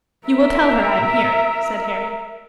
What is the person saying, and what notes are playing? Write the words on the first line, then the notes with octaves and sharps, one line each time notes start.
'You will tell her I am here?' said Harry.
A#4 E5